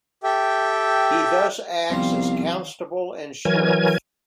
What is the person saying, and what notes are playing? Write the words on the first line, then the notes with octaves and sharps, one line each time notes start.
He thus acts as constable and sheriff.
G4 A4 E5 G5
C2 D#3 F3 G3 B3 C4 F5
E3 F#3 A#4 G#5 G#6